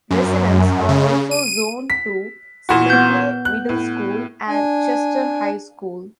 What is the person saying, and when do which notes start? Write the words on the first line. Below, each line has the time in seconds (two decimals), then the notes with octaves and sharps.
Residents are also zoned to Smedley Middle School and Chester High School.
0.10 F#2
0.89 C#3
1.31 D#7
1.90 B6
2.69 A#2 E3 F#4
2.90 B3 G6
3.45 F#6
3.69 A2
4.48 D4 G#5